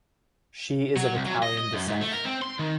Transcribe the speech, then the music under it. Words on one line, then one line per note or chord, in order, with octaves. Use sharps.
She is of Italian descent.
F#3
C2
F#3
D#5
D#5
F#2
G#2
A3
A#4
C4
C6
D#3